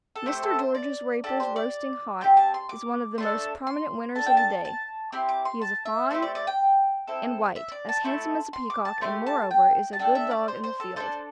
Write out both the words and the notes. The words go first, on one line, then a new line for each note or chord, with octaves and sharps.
Mr. George Raper's Roasting Hot is one of the most prominent winners of the day; he is a fawn and white, as handsome as a peacock and, moreover, is a good dog in the field.
A4
A3 C4 G4 C5
A4
C5
D5
D4 G4 A4
C5
D5
C4 G4 G5
A5
C6
D6
A3 D4 A4 C6
C6
D4 A4 A5
G5
A5
A5
C4 E4 G4 C6
D6
C6
A5
E5
A3 C4 E4 G4 C5
D5
D5
G5
C4 E4 A4
E5
D5
A5
A3 C4 E4 A4
C6
D6
A5
A3 E4 G4 C6
A5
G5
A5
D4 A4 G5
E5
D5
C5
C5
A4
D4 A4 C5